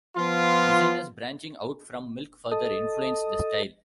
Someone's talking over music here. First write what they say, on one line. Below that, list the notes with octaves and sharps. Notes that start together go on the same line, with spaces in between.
Designers branching out from Milk further influenced the style.
F3 B3 F4
A4 D#5